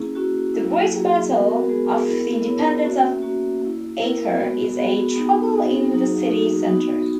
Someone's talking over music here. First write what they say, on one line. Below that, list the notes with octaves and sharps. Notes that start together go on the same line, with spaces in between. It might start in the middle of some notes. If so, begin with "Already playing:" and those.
The "Great Battle of the Independence of Acre" is a trouble in the city-centre.
Already playing: A#3 C#4 E4 G#4
A#3 C#4 E4 F#4
F#3 A#3 E4
F#3 A#3 E4 G#4
G#3 B3 F#4 A#4
A#4
F#4
G#3 B3 F#4 G#4
G#4
B3 E4 A#4
B3 E4 C#5
A#3 C#4 F#4 E5
A#3 C#4 F#4
A#3 E4
A#3 E4 A#4
G#3 B3 F#4
G#3 B3 F#4 G#4
B3 D#4 F#4
B3 D#4 F#4 G#4
F#3 A#3 D#4 F#4
F#3 A#3 D#4 F#4
B3 D#4 F#4